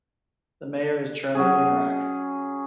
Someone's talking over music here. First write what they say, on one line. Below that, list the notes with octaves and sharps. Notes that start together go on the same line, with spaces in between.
The mayor is Charlie Inuarak.
F#3 C#4 G#4